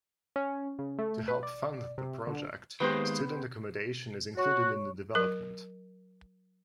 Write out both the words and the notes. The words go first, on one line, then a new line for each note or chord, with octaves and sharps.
To help fund the project, student accommodation is included in the development.
C#4
C#3
A3
B4
D5
C3
D3
D#3 G#3 A#3 B3 G4 C5
F#4 C#5 C#6
F#3 A#4